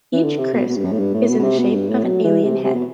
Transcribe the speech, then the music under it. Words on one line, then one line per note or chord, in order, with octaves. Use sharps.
Each crisp is in the shape of an alien head.
E3
D3
C3
B2
B2
G2
F#2
A2
G2
A2
B2
B2
C3
B2
G2
A2
F#3
E3
C3
C3
B2